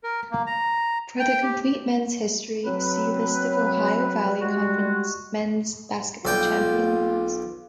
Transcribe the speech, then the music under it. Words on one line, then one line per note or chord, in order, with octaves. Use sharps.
For the complete men's history, see List of Ohio Valley Conference men's basketball champions.
A#4
A#3
A#5
G5
G4
F#3 C4 B4
G3 G#3 F#4
B1 F4 D5 G5